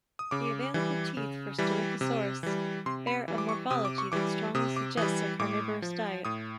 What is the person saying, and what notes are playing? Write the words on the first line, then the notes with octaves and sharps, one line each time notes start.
The available teeth for "Staurikosaurus" bear a morphology that strongly suggests a carnivorous diet.
D#6
C#3 D6
E3 G3
C#3
E3 G3
C3
E3 G3
C3 C6
B5
E3 G3
D6
C#6
C3 D#6
D6
C#6
E3 G3 D6
C3 D#6
D6
E3 G3 D#6
A2 D6
F3
A2 D#6